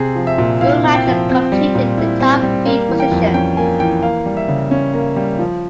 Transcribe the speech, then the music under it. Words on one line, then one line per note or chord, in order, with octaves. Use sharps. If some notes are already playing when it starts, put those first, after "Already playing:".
Schumacher completed the top three positions.
Already playing: C3 C4 G#4
F3
E5
A#2
E4 F5
C4
G5
F3
C4
G3
A#2
E4
C4
G3
A#3 F5
E3
G5
F2
C#4 G5
A#3 G#5
E3 G5
A#3 F5
G3
E5
C#3
C#4
A#3
G3
F3